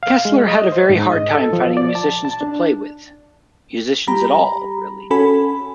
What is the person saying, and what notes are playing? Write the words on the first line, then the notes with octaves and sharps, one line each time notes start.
Kessler had a very hard time finding musicians to play with-musicians at all, really.
F5
G#3
D#5
C5
G#2
D#5
A4
F3
D5
A5
A5
D4
G3 G4 A#5 B5
C#4 F#4 A4 G#5 B5